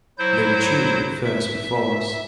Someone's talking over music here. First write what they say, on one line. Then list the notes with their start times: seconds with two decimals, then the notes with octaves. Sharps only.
They retreated, at first, before us.
0.18 F#3 E4 C5 G6
1.24 E5